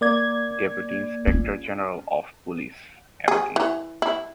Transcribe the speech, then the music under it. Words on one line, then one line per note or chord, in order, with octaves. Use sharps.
Deputy Inspector General of Police Md.
A#3 D5 G#6
C#4 F4
G#4
E3
E4